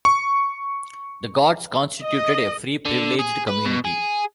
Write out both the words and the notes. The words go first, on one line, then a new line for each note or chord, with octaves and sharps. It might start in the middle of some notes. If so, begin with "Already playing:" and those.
The guards constituted a free, privileged community.
C#6
D#5
D3
G#4
B4
B2
G#4